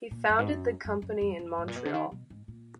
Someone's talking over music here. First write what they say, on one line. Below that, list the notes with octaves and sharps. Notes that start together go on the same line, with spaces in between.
He founded the company in Montreal.
A#2
F#2
G#2
F#2
F#2
F#2
F2
F#2
G#2
A#2
B2
D3
D#3
B2
G#2
A#2